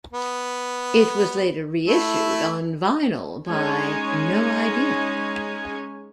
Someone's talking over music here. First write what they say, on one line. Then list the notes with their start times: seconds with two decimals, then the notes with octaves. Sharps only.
It was later reissued on vinyl by No Idea.
0.13 B3
1.87 A3 E4
3.50 G#3 C#4 D#4 G#4 C#5 G#5